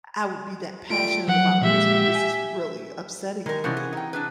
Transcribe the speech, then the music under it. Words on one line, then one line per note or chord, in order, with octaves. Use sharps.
I would be that passionate about this, but this is really upsetting me,"
A3 F4 D5 G5 D7
F3 F#3 F#5
A#2 F3 G#3 G4 E5
G#5
D#3 G#3 A#4
C3 E3 F3 C#4 F#4
G#4
D#4 G5
D4 G#4 B4